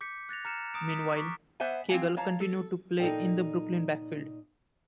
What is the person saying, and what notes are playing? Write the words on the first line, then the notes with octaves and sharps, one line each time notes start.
Meanwhile, Cagle continued to play in the Brooklyn backfield.
D6 G6 B6 C#7
F#6 A6 A#6 F7
A#5 F6 C#7 E7
A#5 D#6 D7
D#6 B6
C#6 D6 B6
B3 C5 E5 F#5 G#5
C4 F5 G#5
C#5 F5 A5 A#5
A4
A#2 D#4 A4 D5 G5